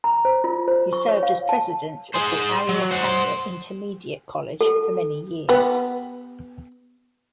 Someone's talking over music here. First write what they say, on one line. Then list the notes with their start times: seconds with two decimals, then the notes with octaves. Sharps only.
He served as president of the Arya Kanya Intermediate College for many years.
0.04 A#5
0.25 C5
0.44 F4
0.68 C5
0.93 C#6
1.09 C#5
1.23 F5
1.49 A5
2.15 G#4 C5
2.69 F#3
2.91 C5 F#5
4.61 A4
5.49 B3 G4